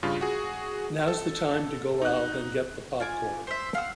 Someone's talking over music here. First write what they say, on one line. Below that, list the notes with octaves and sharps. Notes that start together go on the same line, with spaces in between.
Now's the time to go out and get the popcorn.
G2 C#3 C#4 F4
F#4 G#4
A4
D#4 F#6
F4 G#5 D6
C5 E5
F5 F#5 E6